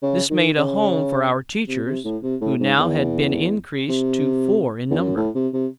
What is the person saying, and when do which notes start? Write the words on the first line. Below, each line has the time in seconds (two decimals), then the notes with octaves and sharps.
This made a home for our teachers, who now had been increase to four in number.
0.02 C#3
0.30 D#3
0.57 C#3
1.67 C3
1.86 C3
2.04 A2
2.23 C3
2.41 A2
2.60 G#2
2.78 E2
3.89 C3
4.90 E2
4.99 F#2
5.16 A2
5.35 C3
5.54 C3